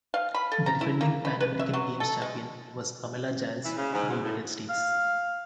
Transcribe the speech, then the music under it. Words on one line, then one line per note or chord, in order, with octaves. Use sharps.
The defending Pan American Games champion was Pamela Jiles of the United States.
F5
B5
A4
A#5
E4
A#3
B5
B4
E5
F#3
A4
G#3
E3
C#3
G#2
E2
A2
F5